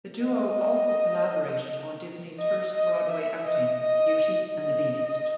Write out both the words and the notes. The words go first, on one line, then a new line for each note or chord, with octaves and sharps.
The duo also collaborated on Disney's first Broadway outing: "Beauty and the Beast".
D#5
D#5
D#5
E5
D#5
D#5
D#5